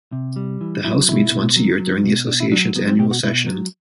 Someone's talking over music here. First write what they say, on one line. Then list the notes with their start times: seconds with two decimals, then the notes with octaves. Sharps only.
The house meets once a year during the association's annual session.
0.12 C3
0.36 G3
0.61 E3
0.84 F#3 E4
1.08 B2 E4
1.32 B2
1.56 F#3
1.79 F#3
2.04 B2
2.27 B2 D4
2.40 E4
2.52 F#3 D4
2.75 F#3 B3
2.88 C4
2.99 B2 G4
3.11 F#4
3.23 B2 E4
3.47 F#3